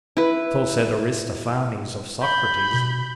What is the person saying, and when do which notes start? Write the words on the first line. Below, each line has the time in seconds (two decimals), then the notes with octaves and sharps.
'So said Aristophanes of Socrates.
0.17 E4 B4
2.22 B5 G6
2.73 B2